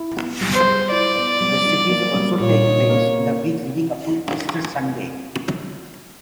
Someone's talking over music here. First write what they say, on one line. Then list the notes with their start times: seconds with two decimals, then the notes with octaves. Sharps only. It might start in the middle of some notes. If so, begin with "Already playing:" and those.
Festivities also take place in the week leading up to Easter Sunday.
Already playing: E4
0.16 B3
0.41 G3
0.54 C5
0.66 G#4
0.91 E4 D5
1.16 B3
1.41 G3
1.64 D#4
1.89 A#3
2.14 G3
2.39 A#2 C#5
2.64 D#4
2.89 A#3